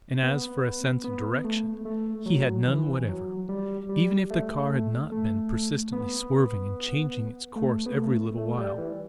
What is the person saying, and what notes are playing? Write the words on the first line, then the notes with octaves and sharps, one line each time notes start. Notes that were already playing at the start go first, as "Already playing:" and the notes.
And as for a sense of direction, he had none whatever--even if the car had not been persistently swerving and changing its course every little while.
B3
B3
A3
A3
F#3
E3
F#3
G3
G3
A3
A3
B3
A3
B3
A3
A3
G3
E3